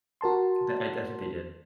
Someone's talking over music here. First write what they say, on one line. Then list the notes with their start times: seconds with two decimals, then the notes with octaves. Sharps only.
D I I think they did.
0.21 F#4 A#4 A5 C6